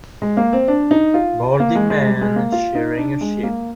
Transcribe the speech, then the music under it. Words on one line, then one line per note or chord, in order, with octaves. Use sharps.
Balding man shearing a sheep.
G#3
A#3
C4
D4
D#4
F4
A#3
G#3
G#3
G#3
G3
G#3
A#3
F4
D#4
D4
G#3
A#3